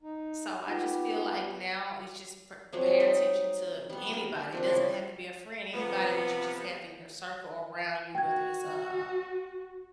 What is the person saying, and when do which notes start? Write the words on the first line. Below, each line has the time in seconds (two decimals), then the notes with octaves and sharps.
So, I just feel like now it's just pa pay attention to anybody. It doesn't have to be a friend. Anybody that you just have in your circle around you, whether it's a a
0.02 D#4
0.67 B3 D#4 F4 G4
2.73 F3 F#3 G#3 C4
3.00 D#4 C5 D#5
3.90 G3 B3
4.12 G4 A#4
4.52 F3 C4 D4
4.67 C#3 E4
5.74 C3 F3 B3
8.15 F#4 G5 G#6